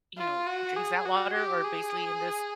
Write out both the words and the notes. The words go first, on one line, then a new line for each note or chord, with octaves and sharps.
you know, drinks that water or, basically, in this
F4
F#4
G#4
F#4
G4
G#4